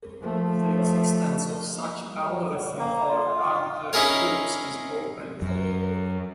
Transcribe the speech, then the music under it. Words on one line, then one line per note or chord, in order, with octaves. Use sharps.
The existence of such algorithm for arbitrary groups is open.
F3 A3
A#3
F4
C#4 D#4 E4 G#4 A#4 C#5
F#2